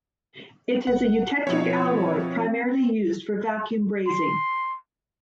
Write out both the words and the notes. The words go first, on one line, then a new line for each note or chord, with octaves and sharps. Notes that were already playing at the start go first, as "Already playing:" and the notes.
It is a eutectic alloy primarily used for vacuum brazing.
G1 F#5
B2 F3 C4 E4 C#5
C6